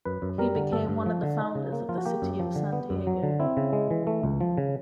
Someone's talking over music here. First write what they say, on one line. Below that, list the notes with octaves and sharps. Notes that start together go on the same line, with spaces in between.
He became one of the founders of the city of Santiago.
F#2 B4
F#2
G3 A#4
D3
G2 A4
G2
F3
D3
D#4
C#3
A#3
F3 F4
F#4
A#3 G4
F#2
F3
D3
B3
F#2
F#3
D3
C4 E4
C#3
G#3
E3
A3
C#2
F3
C#3